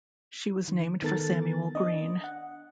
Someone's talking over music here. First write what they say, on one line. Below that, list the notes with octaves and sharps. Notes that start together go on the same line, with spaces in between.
She was named for Samuel Greene.
D#3
D#3 B3 A4 A#4 A6
D4 D#5
F#5